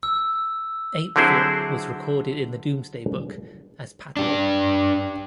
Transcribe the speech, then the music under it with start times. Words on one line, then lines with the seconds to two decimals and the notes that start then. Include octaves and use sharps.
Apethorpe was recorded in the Domesday Book as Patorp.
0.03 E6
1.16 D3 F#3 C4 E4 G#4 C5
4.17 D4 G4